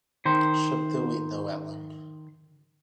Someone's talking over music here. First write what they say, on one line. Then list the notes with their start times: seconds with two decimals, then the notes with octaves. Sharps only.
Shut the window, Ellen!
0.25 D#3 C5